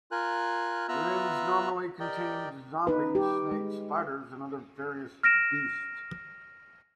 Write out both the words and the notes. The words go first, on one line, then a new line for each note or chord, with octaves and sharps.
The rooms normally contained zombies, snakes, spiders and other various beasts.
F4 A#4 G#5 F#6
B3 F4 E5 A#5 E6 F#6
G4 A#4 D5 D#5 G5
D#4 B4
G4
G#3
F6 A#6 D7 E7